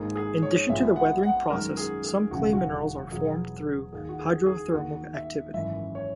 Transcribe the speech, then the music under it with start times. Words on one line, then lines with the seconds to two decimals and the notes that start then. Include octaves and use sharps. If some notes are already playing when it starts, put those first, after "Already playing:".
In addition to the weathering process, some clay minerals are formed through hydrothermal activity.
Already playing: G#1 G#2 D#3 A#3 G#4
0.16 G#4
0.43 C#5
0.69 A#1 A#2 G#3 B3 E5
0.96 F#5
1.23 F#5
1.50 F#2 D#3 G#3 A#4
1.77 G#4
2.04 G#4
2.31 E1 D#2 C#3 F#3 F#4
2.53 F#4
3.11 E2 B2 F#3 B3 G#4
3.93 D#2 D#3 A#3 G#4
4.09 F#4
4.20 G#4
4.46 G#4
4.73 D#2 D#3 A#3 F#4
5.14 E5
5.53 G#1 F#2 E3 E5
5.95 C#5